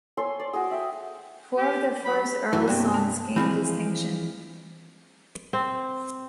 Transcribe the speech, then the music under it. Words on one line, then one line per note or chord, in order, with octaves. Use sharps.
Four of the first earl's sons gained distinction.
A4 C#5 G#5 C6
D5
F#4 G#4
E5 G5
G4
F#3 B5
F#2 E3
G2 C3 A#3 B3
A5
E3 F3 G#3 C4 B5
C4